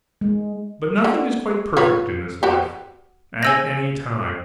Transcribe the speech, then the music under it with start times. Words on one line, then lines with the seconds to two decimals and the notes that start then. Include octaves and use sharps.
But nothing is quite perfect in this life, at any time.
0.21 G#3
1.04 D3
1.77 F4 B4 C#5
2.43 F#4 G4
3.43 G#5 E6 A#6